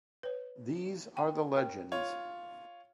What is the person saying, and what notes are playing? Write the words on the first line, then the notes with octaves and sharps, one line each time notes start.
These are The Legends.
B4 C#5
G5
A#4 G5
F4 C#5